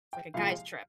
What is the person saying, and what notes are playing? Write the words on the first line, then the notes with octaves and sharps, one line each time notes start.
It's like a guys' trip.
G5
C2 A#2 F3 G#3 F5